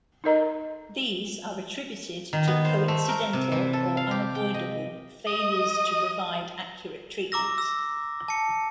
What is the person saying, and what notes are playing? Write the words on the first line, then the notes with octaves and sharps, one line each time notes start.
These are attributed to coincidental or unavoidable failures to provide accurate treatment.
D#4 A4 A#4 D#5 A#5
D#3
B3
C5
A3
A#4
C3
E3
A4
F5
G4
G5
D#5
D#5
A#5 D6 E6 A#6
E6
A5 C#7